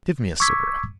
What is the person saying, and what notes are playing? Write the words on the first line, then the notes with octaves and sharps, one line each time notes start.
Give me a cigarette.
C#6 D6 E6 G#6 B6